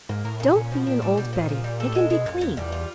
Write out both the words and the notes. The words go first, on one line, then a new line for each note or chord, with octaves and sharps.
'Don't be an old Betty; it can be cleaned.
G#2 A#3
A2 A#4
A#2 C#3
A#2 C#4
B2 F3
A#2 D4
A2 G3
B2 G3
A#2
A2 F3
A#2 F3
G3
A4
A2
A#2 G#3
B2 G#3
F#2 A#2
E2 A#2
E2 G3
F4